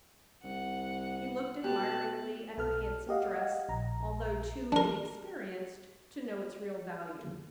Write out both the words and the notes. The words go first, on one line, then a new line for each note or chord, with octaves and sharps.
He looked admiringly at her handsome dress, although too inexperienced to know its real value.
C2 F#5
B2 G4 A5 F#6
B1 A4 F6
G4 D#5 F5 F#5
A#1 A#5
D4 A#4